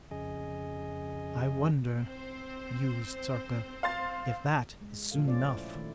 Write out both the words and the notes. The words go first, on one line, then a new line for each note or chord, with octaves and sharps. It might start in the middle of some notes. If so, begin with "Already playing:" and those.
"I wonder," mused Sarka, "if that is soon enough!"
F2 C#3 G#4 D#5
C4 C5
F5 C6 A6
G#3
A#2 F3 A3 A4 F5
C#4 F4 C5 D5
E4
D#3 A3